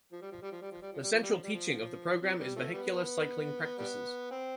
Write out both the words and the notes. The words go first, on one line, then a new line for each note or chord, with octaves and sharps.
The central teaching of the program is vehicular cycling practices.
F3
G3
F3
G3
F3
G3
F3
G3
F3
G3
F3
G3
F3
G3
F3
C3 F3
C3 G3
F3 A3
G3 B3
G3 B3
C4